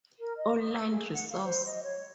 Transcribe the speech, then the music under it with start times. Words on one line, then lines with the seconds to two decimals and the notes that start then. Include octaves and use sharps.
Online resource.
0.20 A#4
0.36 D#5
0.60 D#6
0.72 E6
0.91 G#4
1.13 F#5
1.30 F5
1.44 C5
1.64 D#5
1.84 C#5